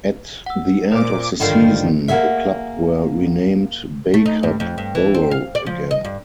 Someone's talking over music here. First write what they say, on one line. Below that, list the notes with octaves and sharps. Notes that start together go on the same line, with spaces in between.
At the end of the season the club were renamed Bacup Borough again.
F#5 E6
A#2 A#4 C5 D5 D6
G2 D3 D#3 F3 A4 F5
A#3 F#4 G#4 E5
A3
D#4
G2
F2
G2
E3
C4
F5
D5
F3
D#5
G2